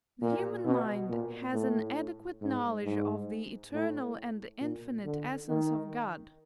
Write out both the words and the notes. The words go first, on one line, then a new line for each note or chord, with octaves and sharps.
The human mind has an adequate knowledge of the eternal and infinite essence of God.
A#2
B2
A#2
A2
G#2
G#2
A2
A#2
D3
D#3